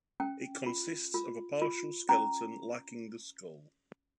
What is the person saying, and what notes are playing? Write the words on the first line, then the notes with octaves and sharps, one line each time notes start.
It consists of a partial skeleton lacking the skull.
C#4 G5
F4
F4
F4
C#4 A#5